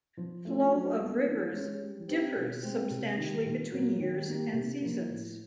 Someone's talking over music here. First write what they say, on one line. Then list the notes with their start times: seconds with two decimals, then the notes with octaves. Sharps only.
Flow of rivers differs substantially between years and seasons.
0.17 F3
0.45 A3 D4 F4
0.72 F#3
1.00 B3 D4 F4
1.27 E3
1.53 G#3 C#4
1.81 G3
2.08 C4 D#4 G4 B4
2.36 B2
2.63 G#3 C4
2.90 C3
3.17 D#3 G3
3.45 A#2
3.71 F#3 A#3
3.99 D#3
4.26 G3 A#3 D#4 G4
4.53 C3
4.81 F3 A#3
5.08 A2